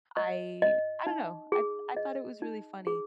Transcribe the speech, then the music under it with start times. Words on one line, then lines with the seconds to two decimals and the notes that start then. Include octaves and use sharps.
I I don't know, I I thought it was really funny,
0.17 D#5
0.62 D#5
1.07 D#4
1.52 G#4
1.97 D#5
2.42 D#4
2.87 G#4